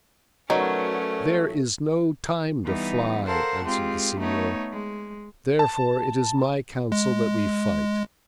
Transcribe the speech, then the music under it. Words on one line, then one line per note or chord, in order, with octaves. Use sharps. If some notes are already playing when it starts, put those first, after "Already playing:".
"There is no time to fly," answered the señor, "therefore it is my counsel that we fight."
F#3 A3 C#4 D#4 A#4 B4 D5
E3 G3 B3 D#4
A4 A#4 C5 F5 F#5 A5
G#3 C4 F4 G4
A3 B3 D#4 C#5
G#3
A5
G#3